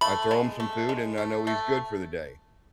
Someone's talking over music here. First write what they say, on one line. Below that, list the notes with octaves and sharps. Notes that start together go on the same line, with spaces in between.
I throw him some food, and I know he's good for the day.
A3 B5
G#3
A3
G#3
A3
A3